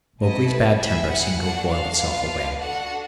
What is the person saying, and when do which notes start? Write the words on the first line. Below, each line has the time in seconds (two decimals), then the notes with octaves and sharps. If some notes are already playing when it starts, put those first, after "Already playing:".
Mowgli's bad temper seemed to have boiled itself away.
0.21 A3 C4 E4 A4 D#5
0.51 B4
0.81 C4 E4 G#4 E5
1.10 F#5
1.40 D4 F#4 A4 F#5
1.70 F5
2.00 B3 D4 F4
2.59 D4 F#4 A4 F#5